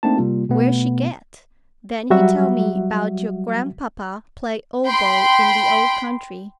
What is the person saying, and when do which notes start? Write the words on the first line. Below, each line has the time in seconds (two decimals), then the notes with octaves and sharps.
Where she get?' Then he tell me 'bout your gran'papa play oboe in the old country.
0.03 A3 A#3 C4 D4 D#4 A5
0.17 C3 G3 A#3 F4
0.49 B2 A3 B3
2.10 F#3 G3 F#4 E5 F#5
4.87 G5 B5 C6